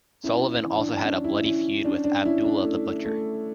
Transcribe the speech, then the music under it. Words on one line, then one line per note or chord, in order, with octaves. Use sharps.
Sullivan also had a bloody feud with Abdullah the Butcher.
C#4 E4
E3
D4
C#4 D4
E4
C#4 E4
C#4 D4
D4
C#4 E4
D4
A3
A3